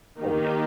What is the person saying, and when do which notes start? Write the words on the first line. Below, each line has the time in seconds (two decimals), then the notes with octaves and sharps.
Oh, yeah.
0.19 D#3 A#3 D#4 G4